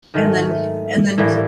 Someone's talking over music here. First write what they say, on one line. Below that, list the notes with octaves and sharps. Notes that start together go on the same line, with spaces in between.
And then and then
G#2 D#3 F#3 A3
A2 E3 G3 A#3